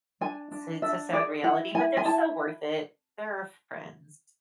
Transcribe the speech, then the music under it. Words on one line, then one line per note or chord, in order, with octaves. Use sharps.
So it's a sad reality, but they're so worth it. They're our friends.
D4 G#5
D4
D4 E5
G#4 D5
E4 F#5
E4 G#5
G#5
E4 A5